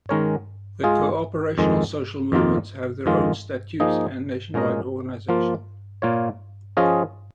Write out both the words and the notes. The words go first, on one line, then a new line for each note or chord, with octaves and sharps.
The cooperational social movements have their own statutes and nationwide organization.
D#3 G#3 C#4 A#4 C#5
G#3 F4 G#4
F2 D#3 G#3
F2 D#3 A#3 F4
F2 D#3 G#3 F4
F3 A#3 D#4 G#4 D#5
A#2 G#3 C#4 A#4 D#5
F3 A#3 F4
A#2 A#3 F4 C#5
F3 C#4 F4 G#4 D#5